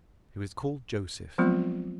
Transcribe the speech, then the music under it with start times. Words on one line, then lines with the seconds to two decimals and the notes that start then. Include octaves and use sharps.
He was called Joseph.
1.38 F3 F#3 G#3 B3 C4 F4